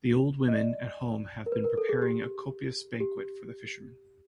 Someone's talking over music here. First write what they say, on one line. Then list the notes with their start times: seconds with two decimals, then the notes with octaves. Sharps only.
The old women at home have been preparing a copious banquet for the fishermen.
0.48 D#5
0.54 D5
1.46 A#4
1.52 B4
1.64 A#4
1.78 A4
1.89 G#4
2.02 G4
3.00 G4